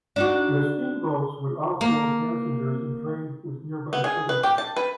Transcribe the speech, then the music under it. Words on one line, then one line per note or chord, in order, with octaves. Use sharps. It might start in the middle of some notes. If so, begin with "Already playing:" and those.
The steam boats would offload passengers and trade with nearby settlements.
D4 D#4 F#4
A#3
B3
G#4
B4
G4
A5
B4